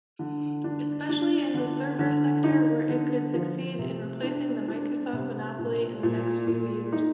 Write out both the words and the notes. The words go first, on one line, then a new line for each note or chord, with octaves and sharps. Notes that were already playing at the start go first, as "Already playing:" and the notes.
Especially in the server sector where it could succeed in replacing the Microsoft monopoly in the next few years.
D3
D4
D4
D3
D3
D#4
D3
F3
C3
D4
D4
C3
A#2
A#2
A#2
D#4